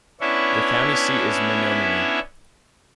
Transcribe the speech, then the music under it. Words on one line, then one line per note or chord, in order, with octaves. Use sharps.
The county seat is Menominee.
B3 C#4 D4 E4 C#5 E5